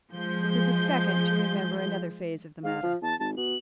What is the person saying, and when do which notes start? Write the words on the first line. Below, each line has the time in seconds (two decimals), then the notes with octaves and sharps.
It was a second to remember another phase of the matter.
0.12 F3 G#3 G6
2.63 G#2 F5
2.83 F3
3.02 E2 A5
3.20 G#1 A5
3.37 B2 F#7